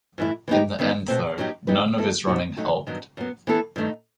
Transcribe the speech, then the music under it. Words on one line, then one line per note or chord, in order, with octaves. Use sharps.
In the end, though, none of his running helped.
G2 E3 A3 E4
E3 B3 D#4 G4
F#2 D#3 G3 B3 D#4
B2 A3 C4
G2 F#3 B3 D#4 G4
E3 B3 D#4 G4 B4
D#3 F#3 B3 E4 A4
B2 G3 C4 D#4 F#4
F#3 A3 D#4 F#4
G2 D#3 F#3 B3
F#2 F#3 B3
E3 B3 E4 A4
G2 D#3 A3 D#4